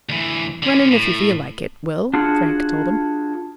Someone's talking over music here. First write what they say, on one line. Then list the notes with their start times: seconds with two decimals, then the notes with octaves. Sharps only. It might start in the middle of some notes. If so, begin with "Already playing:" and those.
"Run in, if you feel like it, Will," Frank told him.
0.09 D2 E3
0.63 D3 C#4
0.91 A2
2.14 D4 F4 F#4 G#4 F#5